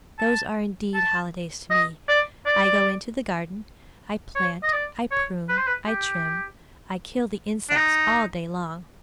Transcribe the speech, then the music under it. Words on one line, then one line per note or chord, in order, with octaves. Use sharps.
"Those are indeed holidays to me; I go into the garden, I plant, I prune, I trim, I kill the insects all day long."
A5
A5
D#5
D5
D5
C#5
D#5
D5
C#5
B4
C5
B4
G4
D4
D#4